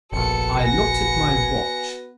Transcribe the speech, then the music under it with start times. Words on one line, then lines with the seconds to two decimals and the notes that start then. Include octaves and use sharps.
I looked at my watch.
0.12 F1 A#1 B3 F#4 A4 B4 C#7
0.61 G#5 A#6 C#7